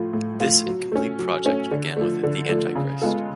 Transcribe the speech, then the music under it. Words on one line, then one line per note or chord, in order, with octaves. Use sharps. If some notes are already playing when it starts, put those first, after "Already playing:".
This incomplete project began with "The Antichrist".
Already playing: A2 F3 A3 F4
A2
F3 A3 F4
F#3
A3 C#4
F#3
A3 C#4
D3
F3 A3
D3
F3 A3
C#3
G#3 B3 F4 A4